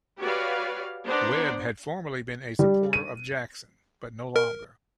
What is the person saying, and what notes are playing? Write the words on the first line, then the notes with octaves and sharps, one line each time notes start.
Webb had formerly been a supporter of Jackson, but no longer.
F#4 G4 B4 C#5 D5 F5
B3 D4 C5 D5 A#5
G3
D#7
A#4